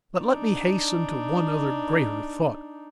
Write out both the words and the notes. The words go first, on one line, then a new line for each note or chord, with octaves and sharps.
But let me hasten to one other greater thought.
D4 D#4